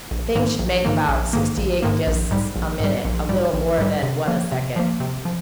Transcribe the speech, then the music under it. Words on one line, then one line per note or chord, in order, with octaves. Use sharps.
"The thing should make about sixty-eight disks a minute--a little more than one a second."
A#1
G#2 D#3 A#3
A#1
G#2 D#3 A#3
A#1
G#2 D#3 A#3
A#1
G#2 D#3 A#3
A#1
G#2 G3
A#1
G#2 G3
A#1
G#2 G3
A#1
G#2 G3
C3
F3 A#3
C3
F3 A#3
C3
F3